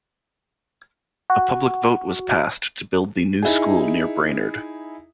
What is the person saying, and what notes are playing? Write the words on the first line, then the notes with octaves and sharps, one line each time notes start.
A public vote was passed to build the new school near Brainerd.
F#4
D#4 E4 G#4